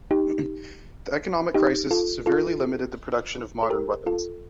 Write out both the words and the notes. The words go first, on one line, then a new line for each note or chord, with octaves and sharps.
The economic crisis severely limited the production of modern weapons.
D#4 G4
D#4 G4
F4 A4
F4 A4
A4
G4 A#4
F4 A4